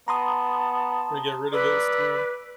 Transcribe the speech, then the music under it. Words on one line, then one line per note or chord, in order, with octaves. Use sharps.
Gonna get rid of it soon.
B3 A5 A#5 C6 D#6
B4 D5 E6